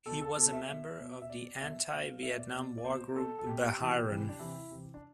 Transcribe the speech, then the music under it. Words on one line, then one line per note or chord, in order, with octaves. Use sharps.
He was a member of the anti-Vietnam War group Beheiren.
B2 A4
A4
B2 A4
E5
B2
B2
E5
B2 D5
B2 E5
B2 F5
B2 E5
D5
B2
D5
B2 C5
B2 A4
A4
B2 G4
C3 E3
C3 E3
D4
C3 E3 E4
C3 E3
D4